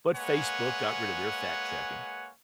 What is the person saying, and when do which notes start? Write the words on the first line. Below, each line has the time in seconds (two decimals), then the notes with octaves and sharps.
but Facebook got rid of their fact-checking,
0.15 G#3 A#3 B4 C#5 F#5 G#5